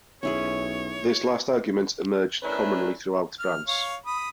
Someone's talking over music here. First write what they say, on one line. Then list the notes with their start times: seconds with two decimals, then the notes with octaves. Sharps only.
This last argument emerged commonly throughout France.
0.23 B1 C#4 E4 G#4 C#5
2.43 A3 C#4 D4 E4 A#4 B4
3.39 F6
3.68 C#5 F5
4.06 B5 D#6